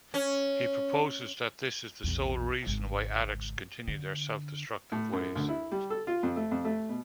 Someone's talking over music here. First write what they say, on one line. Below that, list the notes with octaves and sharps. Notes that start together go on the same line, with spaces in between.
He proposes that this is the sole reason why addicts continue their self-destructive ways.
C#4
A#1 E2
G#1 C#2
D3
A2
F#2
D2
E4
G3
A4
F4
F2
A3
F2
A3
B2